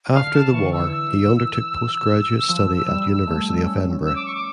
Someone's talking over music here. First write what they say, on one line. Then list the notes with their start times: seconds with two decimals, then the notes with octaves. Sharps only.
After the War he undertook postgraduate study at University of Edinburgh.
0.13 D3 F5
0.33 A5
0.53 E3 C#6
0.72 E6
0.92 E6
2.49 F3
2.88 G3
3.27 A3
3.67 C#4
4.05 E6
4.15 D6
4.25 C#6
4.34 D6